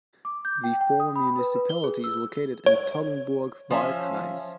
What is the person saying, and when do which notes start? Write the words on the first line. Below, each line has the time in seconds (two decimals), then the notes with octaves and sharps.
The former municipality is located in the Toggenburg Wahlkreis.
0.25 D6
0.45 G6
0.64 G5
0.81 G5
1.00 D#6
1.16 B5
1.39 B4
1.56 B4
1.69 G7
1.84 G#4
2.04 E6
2.66 C#5
3.71 F3 C#4 E5